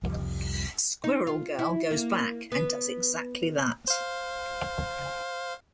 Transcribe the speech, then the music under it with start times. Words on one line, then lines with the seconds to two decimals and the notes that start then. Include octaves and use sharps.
Squirrel Girl goes back and does exactly that.
0.03 C2 F2 F3 G3
1.04 D#4
1.27 F4
1.59 E4
1.91 A#3
2.52 B3 B4
3.88 C5 F5